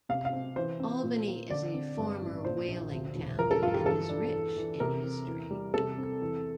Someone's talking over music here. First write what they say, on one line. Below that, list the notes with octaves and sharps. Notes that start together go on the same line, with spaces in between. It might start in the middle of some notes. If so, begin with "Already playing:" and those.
Albany is a former whaling town and is rich in history.
C3 F5
F5
C4
E3 C5
C4
A#2
A#3
D3 D5
C4
G2
A1
A#2 C5
A#1
D2
E1
F3 A#4
A4
G2 F4
G4
E3 A4
D4
E2
E3
C3 A#4
C4
E2
G3
C3 A4
C4
E2